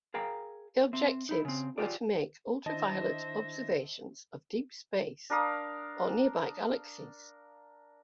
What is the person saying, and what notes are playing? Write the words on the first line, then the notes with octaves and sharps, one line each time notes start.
The objectives were to make ultraviolet observations of deep space or nearby galaxies.
G#4 A#4 F5 G5 A#5
C4 E5
D#4 E4
C#3 C4
F4 G4 G#4 D5
D#3 D4 E4 C5 D#5 E5 A5 A#6
D4 A#4 F5 D#6